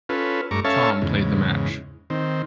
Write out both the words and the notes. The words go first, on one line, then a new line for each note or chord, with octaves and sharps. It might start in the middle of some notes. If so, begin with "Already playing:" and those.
Thom played the match.
C#4 F4 A4 B4
G2 A3 A#5 C#6 D6
C#4 A4 C#5 E5 F5 A5
E2 G#2 C#3
D#3 C4